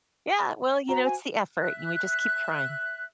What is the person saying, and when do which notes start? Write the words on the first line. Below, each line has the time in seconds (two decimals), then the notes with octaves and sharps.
Yeah, well, you know, it's the effort, and we just keep trying.
0.89 F#4 C5 A#5
1.05 G#5
1.59 E5 F#6